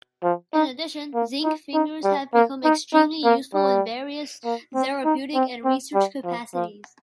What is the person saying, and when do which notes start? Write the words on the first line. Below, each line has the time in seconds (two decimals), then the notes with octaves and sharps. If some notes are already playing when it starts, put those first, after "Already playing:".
In addition, zinc fingers have become extremely useful in various therapeutic and research capacities.
0.24 F3
0.54 D#4
1.14 A#3
1.44 D#4
1.74 D#4
2.04 G3
2.34 A#3
2.64 D#4
2.94 D#4
3.24 A#3
3.54 G3
4.45 A#3
4.74 C4
5.05 D#4
5.34 C4
5.64 C4
5.95 G3
6.24 F3
6.55 F3